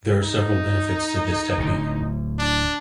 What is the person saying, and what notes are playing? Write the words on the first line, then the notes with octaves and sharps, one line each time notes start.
There are several benefits to this technique.
D#4
D1 D2 D3
D4